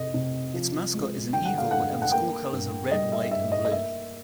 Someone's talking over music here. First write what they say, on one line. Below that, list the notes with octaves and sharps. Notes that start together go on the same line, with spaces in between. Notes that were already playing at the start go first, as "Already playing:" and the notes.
Its mascot is an eagle, and the school colors are red, white and blue.
Already playing: C3 D#5
C3
F3
G#3
D3 G5
F#5
F5
G2 F#5
F#5
A#3 G5
G2
G3 D#5
E5
G2 E5
D#5
D#5
A#3 E5